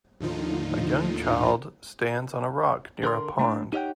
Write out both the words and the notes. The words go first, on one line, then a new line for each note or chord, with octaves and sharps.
A young child stands on a rock near a pond.
D#2 A2 D3 F3 D#4 F4
D3 A#4 C6
A3 C#4 D4
D#4 G4 C#5 D#5 F#5 G5